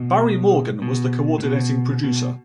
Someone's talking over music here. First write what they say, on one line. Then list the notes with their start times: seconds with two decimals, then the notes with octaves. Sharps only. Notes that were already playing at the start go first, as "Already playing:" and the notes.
Barry Morgan was the co-ordinating producer.
Already playing: B2
0.82 B2
1.38 A2
1.44 B2
2.04 B2